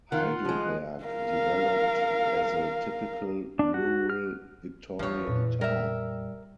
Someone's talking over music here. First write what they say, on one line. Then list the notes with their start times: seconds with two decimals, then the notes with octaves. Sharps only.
Heidelberg developed as a typical rural Victorian town.
0.12 D#3 F4 F#5
0.45 F3 G#3
1.04 A#4 F5
3.59 D4
3.74 F#4
4.10 F6
4.99 E2 E3 F3 G3 B3 C#5
5.27 F2 A#2
5.61 G3 A#4 E5